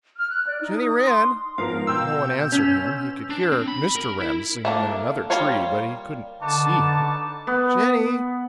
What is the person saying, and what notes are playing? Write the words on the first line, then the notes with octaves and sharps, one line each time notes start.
Jenny Wren!" No one answered him. He could hear Mr. Wren singing in another tree, but he couldn't see him. "Jenny!
F6
F#6
D5
D#4
D#6
D#6
C6
G#2 F3 B3 A#4 F5
B2 G5 C6 E6 G6
C#4
D4
C4
B5
A#4
E4
A3 A#3 D4
G3 A#3 F4 C#5 F5
D3 D#4 B4 A5 C#6 D6
B3